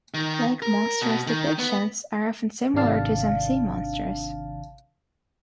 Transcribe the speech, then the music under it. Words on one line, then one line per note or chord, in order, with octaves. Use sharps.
Lake monsters' depictions are often similar to some sea monsters.
D#3
A#4
B2
D#3
B3
G#1 C3 D#3 D4 F5 A5